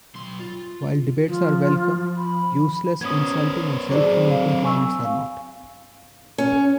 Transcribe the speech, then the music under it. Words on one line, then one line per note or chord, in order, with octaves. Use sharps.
While debates are welcome, useless, insulting, and self-promoting comments are not.
B1 C6
F4
F3 F4
B5
B3 C#4 D#6 G#6
F#3 C4 G#4 C5 D5
F5
G#5 C#6 E6
F5
C#4